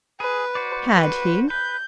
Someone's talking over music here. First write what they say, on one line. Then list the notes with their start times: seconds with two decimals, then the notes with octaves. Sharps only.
Had he?
0.20 G#4 B4
0.55 F#4 C5 D5
0.95 B4
1.50 B4 G6